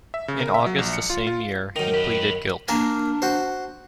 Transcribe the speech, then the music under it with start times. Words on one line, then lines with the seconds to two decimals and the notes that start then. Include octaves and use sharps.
In August the same year he pleaded guilty.
0.14 E5
0.28 C#3
0.40 A#4
0.54 E5
0.66 F#3
0.78 A#1
0.93 C#7
1.10 F4
1.27 F4
1.76 F#2 D#3 D#4
1.94 G4 B4
2.68 A#3 D4 A#4 G#5
3.22 F#4 C5